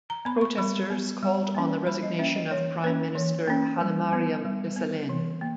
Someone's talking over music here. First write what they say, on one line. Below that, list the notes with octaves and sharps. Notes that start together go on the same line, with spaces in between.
Protesters called on the resignation on prime minister Hailemariam Desalegn.
A#5
B3 B5
C#6
G3 B5
B3
G3
A#3 C#4
G3 B5
D#5
A#3 C#4 E5
D#5
E3 C#5
A#3 C#4 B4
E3 C#5
A#3 C#4
G3
B3
G3
B3
E3
A#3